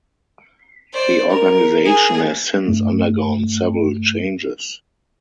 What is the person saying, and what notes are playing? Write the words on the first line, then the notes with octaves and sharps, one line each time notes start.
The organisation has since undergone several changes.
C5 D5
A#4
G#4
G2 A3